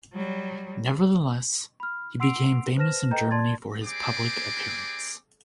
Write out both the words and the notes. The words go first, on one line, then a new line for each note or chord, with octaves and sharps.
Nevertheless, he became famous in Germany for his public appearance.
F#3 G3
B5 F6
F#5 C6 E6 C7 D7 F7
B4 C5 A5 F6 A#6 E7
A4 B4 D#5 G5 A#5 G6
D5 A5 C6 G#6 A6
G3 C4 G#4 D6